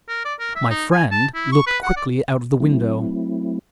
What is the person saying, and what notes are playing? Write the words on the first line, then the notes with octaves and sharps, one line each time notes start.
My friend looked quickly out of the window.
A#4
D5
A#4
E5
D#4
G#5
A5
E4
C#6
B4
F#5
D5
F#3 A3 C4 E4